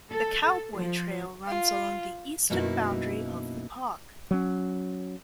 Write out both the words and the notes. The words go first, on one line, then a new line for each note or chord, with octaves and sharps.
The Cowboy Trail runs along the eastern boundary of the park.
A4
F3
F4
F#2 B2 A#3 D#4 E4
F#3 C#4